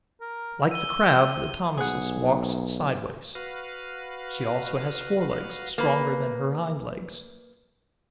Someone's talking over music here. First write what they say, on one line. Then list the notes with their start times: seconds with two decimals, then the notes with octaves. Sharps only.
Like the Crab, the Thomisus walks sideways; she also has forelegs stronger than her hind-legs.
0.21 A#4
0.71 E6 D#7 G7
1.77 B1 G#4 F#5
3.35 F#4 B4 F5
5.78 A#3 B4